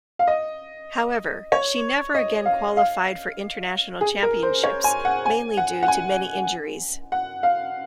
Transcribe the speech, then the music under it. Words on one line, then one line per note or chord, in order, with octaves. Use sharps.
However, she never again qualified for international championships mainly due to many injuries.
F5
D#5
C#5
D#5
F5
F5
G#4
A#4
C5
C#5
G#5
F#5
G#5
F#5
F#5
G#5
F#5
F5